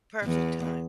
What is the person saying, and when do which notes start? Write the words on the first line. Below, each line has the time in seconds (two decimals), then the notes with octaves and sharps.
Perfect time.
0.24 E2